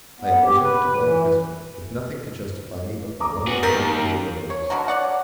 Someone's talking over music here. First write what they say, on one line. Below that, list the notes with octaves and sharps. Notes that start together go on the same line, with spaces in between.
I had presumed to blame Cristel, with nothing to justify me but my own perverted view of her motives.
B3
G4
B4
E3
A#5 D6 D#6
B3 F#4 G#4
D#2 A#4 A#5 G6 A6
C#5
B2 D3 F#4 A#4
C#5 D5 F#5